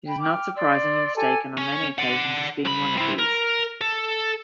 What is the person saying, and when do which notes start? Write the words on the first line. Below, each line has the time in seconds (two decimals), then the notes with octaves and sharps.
It is not surprisingly mistaken on many occasions as being one of these.
0.08 G5 B5
0.21 G5 D6 F6
0.56 D5 C6 E6
1.16 G4 A4 G#5
1.58 C#4
1.99 D5 F#5
2.66 C2 B5
2.98 C4 E4
3.19 A#4
3.81 A4